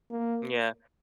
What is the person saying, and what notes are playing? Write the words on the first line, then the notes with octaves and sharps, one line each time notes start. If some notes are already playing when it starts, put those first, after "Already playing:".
Mm yeah.
A#3